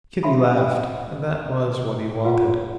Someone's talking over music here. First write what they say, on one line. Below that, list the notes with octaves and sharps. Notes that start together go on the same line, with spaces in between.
Kitty laughed; and that was what he wanted.
C#5 E5 F5 G#5 B5 C6
F4 B4 F5 F#5